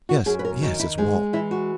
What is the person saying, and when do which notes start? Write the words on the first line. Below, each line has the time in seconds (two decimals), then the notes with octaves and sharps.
Yes, yes, it's Walt.
0.09 F#4
0.26 F#2 G#4
0.39 B4
0.45 A#4
0.62 D#3 F#4
0.79 E4
0.98 G#3 D#4
1.33 E3 E4
1.51 F#4